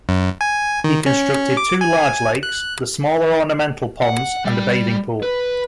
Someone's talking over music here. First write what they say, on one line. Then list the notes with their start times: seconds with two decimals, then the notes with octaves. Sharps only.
He constructed two large lakes, the smaller ornamental ponds and a bathing pool.
0.09 F#2
0.41 G#5
0.84 D#3
1.06 C#4
1.57 D6
1.81 G#5
2.43 F#6
4.02 F#5
4.45 G3
5.23 B4